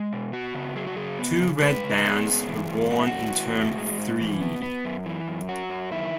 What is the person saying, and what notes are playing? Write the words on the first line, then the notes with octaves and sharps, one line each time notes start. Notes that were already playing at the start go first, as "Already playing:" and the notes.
Two red bands are worn in term three.
Already playing: G#3
B2
B3 F#4
C#3
F#3 G#4
F#4
C#3 G#4
B3
C#3
G#3 B4
C#3
B3 G#4
G#2
E3
G#2
A3 F#4
E4
F#4
A2
E3
A2
G#3
G#2
E3
B3
B3
F#2
E3
F#2
F#3 F#4
F#2
D#3 E4